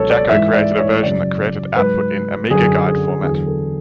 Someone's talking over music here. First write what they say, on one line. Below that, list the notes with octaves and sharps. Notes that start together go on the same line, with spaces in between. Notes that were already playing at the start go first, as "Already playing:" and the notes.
Jacco created a version that created output in Amigaguide format.
Already playing: C#2 B2 F#3 A4 C#5
D5
G#2 E3 E5
D5
C#5
F#2 C#3 F#3 D5
G#2 F#3 B4
F#2 D3 F#3 G#4
G#4
E2 D3 F#3 G#4
A4